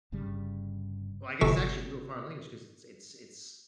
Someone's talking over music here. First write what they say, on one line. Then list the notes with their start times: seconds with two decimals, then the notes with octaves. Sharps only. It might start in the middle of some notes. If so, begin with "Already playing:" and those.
well, I guess actually a literal foreign language 'cause it's it's it's
0.12 G1 G2 C#3 G3
1.41 G1 C3 A4 C#6 E7